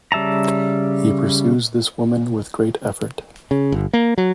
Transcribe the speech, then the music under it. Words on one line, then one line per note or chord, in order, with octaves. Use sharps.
He pursues this woman with great effort.
C#3 G3 E5 A5 A#5
C#3
G1
A#3
F#3